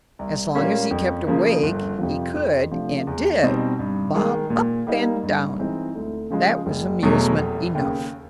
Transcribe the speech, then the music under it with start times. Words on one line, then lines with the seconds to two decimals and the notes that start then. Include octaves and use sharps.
As long as he kept awake, he could, and did, bob up and down. That was amusement enough.
0.19 C2
0.55 A#2 G3 A#3 C#4
0.91 F2
1.27 C#3 F3 A#3
1.63 G1
1.98 F2 C3 F3
2.35 F2
2.71 C3 F3 A3 D4
3.07 E2
3.43 B2 G3 C4 D#4
3.79 G2
4.15 D#3 G#3
4.50 A#2
4.87 G3 A#3 D#4
5.23 G2
5.59 E3 G#3 C4 D#4
5.95 D2
6.30 C#3 F3 G#3
6.66 F#1
7.03 E2 B2 F#3 A3
7.38 F1
7.75 D#2 C#3